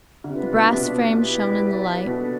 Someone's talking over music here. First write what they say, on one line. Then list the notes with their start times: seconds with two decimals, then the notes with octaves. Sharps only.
The brass frame shone in the light.
0.24 D3
0.30 C3 D4 F4 B4
0.52 B2
0.69 C3
0.75 B2
1.19 E4 G4 B4 D5
2.07 B2 D4 A4 D5